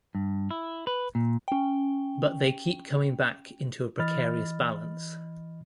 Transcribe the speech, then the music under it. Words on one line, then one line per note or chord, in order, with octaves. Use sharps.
But they keep coming back into a precarious balance.
G2
E4
B4
A#2
C#4 G5
E3 D#5 B5 F6 A6